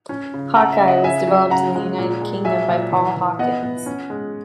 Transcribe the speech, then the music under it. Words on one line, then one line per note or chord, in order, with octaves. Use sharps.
Hawk-Eye was developed in the United Kingdom by Paul Hawkins.
C#4
C#3
C#3 F#5 A#5
E5
C#3
D#5 F#5
C#3 E5 G#5
F#3
C#3 F#5 A#5
G#3
A#2
G#3
F#3 E5 G#5
A#2
E3
E3
B3 D#5 F#5
B3
C#4
G#3